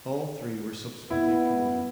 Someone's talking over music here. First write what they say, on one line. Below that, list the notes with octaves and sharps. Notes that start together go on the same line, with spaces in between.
All three were subsequently promoted.
B3 E4